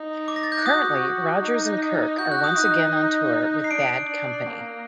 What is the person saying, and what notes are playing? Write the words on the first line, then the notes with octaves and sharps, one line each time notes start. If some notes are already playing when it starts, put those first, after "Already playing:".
Currently, Rodgers and Kirke are once again on tour with Bad Company.
Already playing: D#4
D6
A#6
A6
G6
F#6
F#4 D#6
D#4
F#4 G6
F#6
D#6
D#4 F#6
D#4
C7
D4 D7
D4
A#3